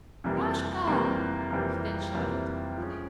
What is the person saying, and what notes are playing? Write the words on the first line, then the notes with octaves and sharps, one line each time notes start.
"Proshka!" he then shouted.
F2 C3 E3 G3 A#3
F2 C3 E3 G3 A#3
F2 C3 E3 G3 A#3
F2 C3 E3 G3 A#3
F3 G#3 C#4